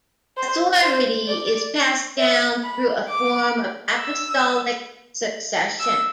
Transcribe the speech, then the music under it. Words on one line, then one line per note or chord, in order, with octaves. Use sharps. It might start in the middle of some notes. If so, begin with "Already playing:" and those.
Authority is passed down through a form of apostolic succession.
C5
C5
D5
E5
B5
D6
E6
E6